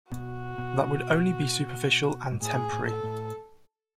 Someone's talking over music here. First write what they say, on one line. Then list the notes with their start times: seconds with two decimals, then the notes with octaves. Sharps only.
That would only be superficial and temporary.
0.12 B2 F#4
0.58 B2
2.32 G#2
2.42 A2 G#4
2.72 A2
2.88 A4
3.03 A2